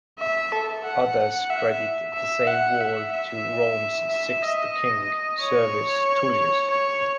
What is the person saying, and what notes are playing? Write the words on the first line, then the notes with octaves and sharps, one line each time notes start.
Others credit the same wall to Rome's sixth king, Servius Tullius.
E5
A4
F#5
E5
E5
F#5
E5
E5
E5
D#5
C#5
C#5